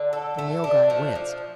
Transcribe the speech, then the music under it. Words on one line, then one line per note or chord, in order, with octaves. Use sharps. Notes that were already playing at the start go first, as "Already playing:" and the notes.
The Nilghai winced.
Already playing: D3
A4
A3
D4
F3
F3